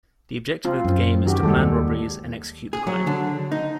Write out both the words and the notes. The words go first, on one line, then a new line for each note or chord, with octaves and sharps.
The objective of the game is to plan robberies and execute the crime.
C4 F4
F#2
D#3 F#4 G4
D#2 G3 G#3 A4
G#4
F#3
D3
D#4